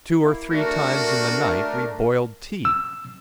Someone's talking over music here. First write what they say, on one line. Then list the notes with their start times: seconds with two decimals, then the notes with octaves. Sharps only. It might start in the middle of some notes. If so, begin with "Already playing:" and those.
Two or three times in the night we boiled tea.
0.21 A#3 E4
0.51 A3 D4 F#4 A#4
2.65 E6